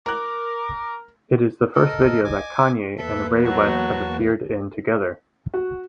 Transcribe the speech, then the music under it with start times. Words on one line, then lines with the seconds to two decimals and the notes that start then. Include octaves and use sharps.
It is the first video that Kanye and Ray West have appeared in together.
0.06 A#4 A#5 D6 F#6
1.75 A4 A#4 D#5
2.25 G#5 D6
2.98 E2 A#3 A4 B4 E5
3.45 F#3 F#4 A5
5.54 F#4